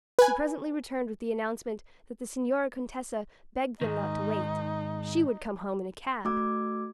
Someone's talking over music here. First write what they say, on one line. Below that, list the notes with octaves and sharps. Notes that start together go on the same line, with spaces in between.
He presently returned with the announcement that the Signora Contessa begged them not to wait--she would come home in a cab!
B4 G#5
G#2 D#3 D#4
A3 F#4 D6 E6 G#6